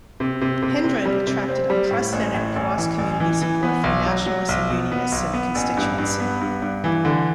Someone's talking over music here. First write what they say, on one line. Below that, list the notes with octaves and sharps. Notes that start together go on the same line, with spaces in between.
Hendron attracted unprecedented cross-community support from Nationalists and Unionists in the constituency.
C3
C3
C3
C3
G3
C3
C4
G3
A2
A1
A2
A1
E3
A1
E3
E3
B3
B1
F#3
F#3
B1
B2
B3
B1
B3
A1
G2
G2
B3
G2
G2
E3
D3